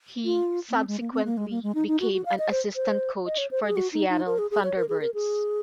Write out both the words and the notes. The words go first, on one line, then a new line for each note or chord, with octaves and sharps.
He subsequently became an assistant coach for the Seattle Thunderbirds.
F4
A#3
C4
G#3
A#3
C4
A#3
G#3
A#3
G#3
D#4
D#4
F#4
F#4
F5
D#5
C5
C5
D#5
C#5
C5
G#4
F#4
D#4
D#4
A#4
G#4
G#4
C#5
A#4
G#4
A#4
G#4